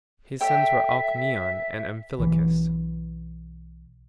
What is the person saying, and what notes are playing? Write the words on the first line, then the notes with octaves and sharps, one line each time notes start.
His sons were Alcmaeon and Amphilochus.
A4 C#5 E5 G5
B1 E3